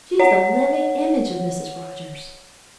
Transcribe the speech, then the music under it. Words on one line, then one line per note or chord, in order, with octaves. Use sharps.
"She's the living image of Mrs. Rogers."
C#5 F#5